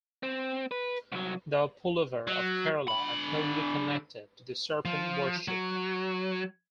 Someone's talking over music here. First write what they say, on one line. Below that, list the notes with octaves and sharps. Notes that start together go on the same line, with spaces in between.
The pulluvar of Kerala are closely connected to the serpent worship.
C4
B4
C2 F#3
F#3
D3 B5
F3
F#3